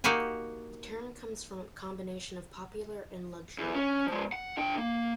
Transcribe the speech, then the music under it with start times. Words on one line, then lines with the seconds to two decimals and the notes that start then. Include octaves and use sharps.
The term comes from a combination of popular and luxury.
0.04 A#3 D#4 F#4 G4 F5 G#5
3.58 E2
3.75 C#4
4.07 F3 G#3
4.32 F#5
4.57 D3 G5
4.78 A#3